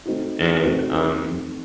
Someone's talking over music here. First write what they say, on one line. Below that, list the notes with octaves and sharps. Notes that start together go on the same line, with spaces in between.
And, um,
A3 C4 D#4 F#4
A3 C4 D#4 F#4